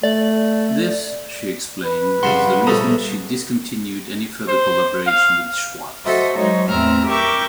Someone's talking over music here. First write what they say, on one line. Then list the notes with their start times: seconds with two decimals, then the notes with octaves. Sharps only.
This, she explained, was the reason she discontinued any further collaboration with Schwarz.
0.03 A3 D5
1.85 B4
2.23 G2 C#3 G3 F#5 C6
2.67 A#1 G3 A3 A4 A#5 D#6
4.48 C5
5.07 F5
6.05 F#4 A4 C5 D#5 E5
6.37 F#3 G#3 D#4 C5 C#5
6.68 E2 A2 C4 E5 A#5 F6
7.06 G4 A#4 E5 C#6 D6 G6